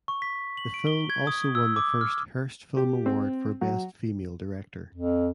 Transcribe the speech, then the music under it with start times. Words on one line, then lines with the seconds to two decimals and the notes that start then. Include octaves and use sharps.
The film also won the first Hearst Film Award for Best Female Director.
0.08 C#6
0.22 B6
0.57 F#7
0.74 D7
0.87 G7
1.10 G#6
1.27 D#6
1.55 E6
1.76 D6
2.01 F6
2.77 G4
3.06 C4
3.61 F#3
4.95 F2